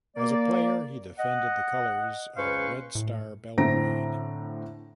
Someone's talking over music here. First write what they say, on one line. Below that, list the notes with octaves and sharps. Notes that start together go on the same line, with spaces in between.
As a player, he defended the colours of Red Star Belgrade.
A#3 D5
D#5 F#5
C#2 C#4 B4 C5 F5 C#6
A2
A2 D3 C4 A#5 A#6 D7